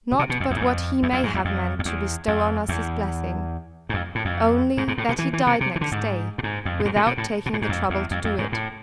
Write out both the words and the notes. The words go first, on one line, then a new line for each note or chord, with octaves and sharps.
Not but what he may have meant to bestow on us his blessing; only that he died next day, without taking the trouble to do it.
B2
C3
B2
F2
E2
G#2
F2
E2
F2
G#2
E2
F2
F2
E2
F2
E2
G#2
F2
A2
F2
G#2
G#2
A2
B2
E3
E3
C3
C3
E3
D3
G#2
A2
G#2
F2
A2
G#2
A2
B2
A2
B2
A2
G#2
F2
E2
F2
F2
G#2
A2